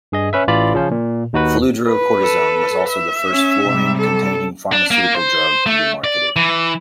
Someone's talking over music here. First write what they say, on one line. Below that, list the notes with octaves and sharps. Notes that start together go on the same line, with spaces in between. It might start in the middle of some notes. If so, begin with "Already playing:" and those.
Fludrocortisone was also the first fluorine-containing pharmaceutical drug to be marketed.
G2 G#4 D#5
C#4 B4 E5
A1 E3 F4 D5 B5
C#3 F3 C#4 C5
A#2
D#2 D#4 F#4 B4
B4
A4
E5
C#4
C3 G3
A4
D4
A#3
C5
A3
D5
E3